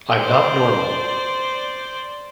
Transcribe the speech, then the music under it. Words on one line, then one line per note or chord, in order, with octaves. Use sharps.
I'm not normal.
C5 D5